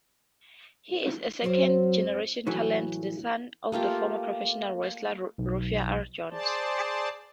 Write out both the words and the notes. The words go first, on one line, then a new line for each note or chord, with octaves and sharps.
He is a second-generation talent, the son of former professional wrestler Rufus R. Jones.
F#2 F#3 C4 C5
A2 E3 F#3 A3
A3 A#3 F4 G4
B1
G#4 C5 D5 A5